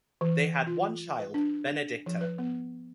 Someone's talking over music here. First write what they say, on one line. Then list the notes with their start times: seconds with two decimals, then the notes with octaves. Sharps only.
They had one child, Benedicta.
0.21 E3
0.67 F4
1.19 B4
1.34 D4
1.71 D4
2.06 F3
2.21 B4
2.38 B3